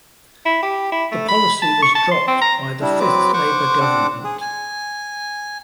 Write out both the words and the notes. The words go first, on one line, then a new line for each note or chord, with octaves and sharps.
The policy was dropped by the Fifth Labour Government.
E4
G4
E4
A3
B5
A5
C#6
A5
C6
C4
A#5
G3 D4 E4
F#3 C4 B4 D6
C5 F#5 C#6 D6
C4 D4 F#5 D6
G#4
G#5